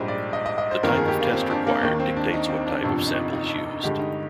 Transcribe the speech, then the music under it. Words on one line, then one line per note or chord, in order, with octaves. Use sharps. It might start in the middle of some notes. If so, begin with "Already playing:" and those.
The type of test required dictates what type of sample is used.
Already playing: A#1 G#2 G3 C5
D5
D#5
D#5
D#5
C5
G1 F2 D#3 A#3 A#4
G#4
G4
A#3
C4
D4
A#3
D#2 D#3 A#3
C4
D4
D#4
C4
D4
G1 F2 C3 F3 D4
D#4
D#4
D#4
G2 D3 G#3 G4
D#4